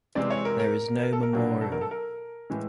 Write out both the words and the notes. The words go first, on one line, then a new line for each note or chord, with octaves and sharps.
There is no memorial.
C3 E3 G#3 C4 D5
C#5
A#4
A#4
A#4
A4
A#4
B2 F#3 B3 D4
A4
A#4
A4
A#4
A2 E3 G#3